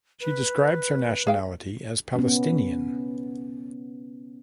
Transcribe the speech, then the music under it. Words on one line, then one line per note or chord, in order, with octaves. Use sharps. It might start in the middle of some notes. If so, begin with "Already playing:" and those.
She describes her nationality as Palestinian.
B4
G#4 F5 G5
B3 C#4